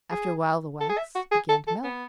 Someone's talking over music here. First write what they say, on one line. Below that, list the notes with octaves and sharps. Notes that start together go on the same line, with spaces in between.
After a while the wax began to melt.
G#4
A4
G#4
E5
F#4
G#4
A4
A4
B3